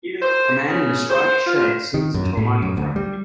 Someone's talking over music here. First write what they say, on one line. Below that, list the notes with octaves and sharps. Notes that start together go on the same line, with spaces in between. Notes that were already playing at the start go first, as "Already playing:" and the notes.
A man in a striped shirt sings into a microphone.
C5
C#3
C5
F4
D#3
F#2
A2
F#2
D2
G3